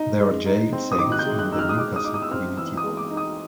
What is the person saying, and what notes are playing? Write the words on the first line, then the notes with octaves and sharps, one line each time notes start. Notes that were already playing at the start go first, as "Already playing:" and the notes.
There are jail cells in the Newcastle Community Hall.
Already playing: D#4
G#3
D#4
C4
D#6
D#3 D6
F#6
G6
G#3
F#6
D#4 E6
F6
D#6
G#3 D6
D#6
D#4 D6
D#6
E6
C4 F6
E3 E6
D#6
G#3
D6
D#4
D#6